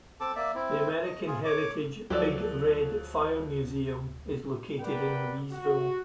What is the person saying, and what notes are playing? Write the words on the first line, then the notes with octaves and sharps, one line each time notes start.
The American Heritage "Big Red" Fire Museum is located in Louisville.
C4 A4 A5 D6
A#3 D5 E5
C4 E4
D#5
F4 G#4
C#5 D6
D2 F3 F#3 G4 A4 D5
A#4 B4 D5 F#5 G5
F#4